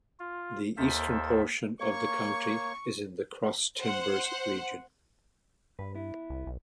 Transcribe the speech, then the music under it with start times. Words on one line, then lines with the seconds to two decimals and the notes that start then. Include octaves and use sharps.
The eastern portion of the county is in the Cross Timbers region.
0.20 F4
0.77 D#2 A#3 A4 C5 E5
1.80 A#3 C#5 C#6
3.79 C5 F#5
5.79 G2 B4
5.95 B3 E4
6.30 C2
6.46 B1